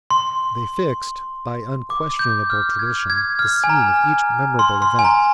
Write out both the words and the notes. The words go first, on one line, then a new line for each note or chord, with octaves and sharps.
They fixed, by unquestionable tradition, the scene of each memorable event.
C6
D6
G6
F6
G#6
G#6
F6
G#5
A#5
C6
C6
G#5
A#5